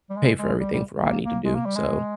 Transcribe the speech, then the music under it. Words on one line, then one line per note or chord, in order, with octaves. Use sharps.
pay for everything for I need to do, so
G3
G#3
G#3
G3
G3
A#3
A#3
G#3
A#3
G3
G#3